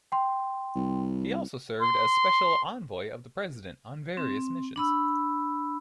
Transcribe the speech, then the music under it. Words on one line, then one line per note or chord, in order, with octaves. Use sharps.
He also served as Special Envoy of the President on various missions.
G5 C6
C2
C6
C4
D4 B5 E6